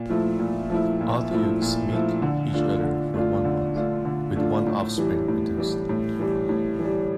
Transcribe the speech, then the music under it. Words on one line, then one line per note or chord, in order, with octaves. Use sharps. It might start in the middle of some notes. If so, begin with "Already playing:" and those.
Otyughs mate each year for one month, with one offspring produced.
Already playing: A#2
F3 A3 E4
A#2
F3 A3 E4
A#2
F3 A3 E4
A#2
F3 A3 E4
D3
A3 D4 F4
D3
A3 D4 F4
D3
A3 D4 F4
D3
A3 D4 F4
A2
E3 G3
A2
E3 G3
A2
E3 G3
A2
E3
G3